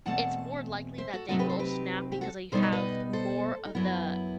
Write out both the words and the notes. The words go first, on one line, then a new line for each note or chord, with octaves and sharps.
it's more likely that they will snap because they have more of the
E2 B2 A3 C4 F#5 A5
C5 E5
F#4 A4
C3 F#3 A3 C4 D#4 F#4 A4
G4 B4
A4 C5
G4 B4
G4
F#4 A4
B2 G3 B3 D#4 A4 C5
B4 D#5
B4 D#5
A4 C5
D#4
F#2 F#3 B3 E4